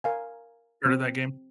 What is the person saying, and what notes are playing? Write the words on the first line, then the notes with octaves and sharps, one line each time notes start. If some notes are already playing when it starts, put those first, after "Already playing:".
heard of that game?
A#4 F5 G#5
C4